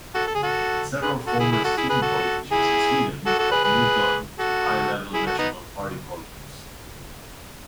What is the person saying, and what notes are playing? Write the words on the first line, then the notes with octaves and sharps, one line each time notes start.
Several former student politicians in Sweden have moved on to high-level national party politics.
F#4 A4
A4
G#4
F#4 A4
G#4 B4
F#4 A4
E4 G#4
E4 G#4
F#4 A4
E4 G#4
G#4 B4
F#4 A4
E4 G#4
F#4 A4
F#4 A4
G#4 B4
G#4 B4
F#4 A4
E4 G#4
F#4 A4
B3 D#4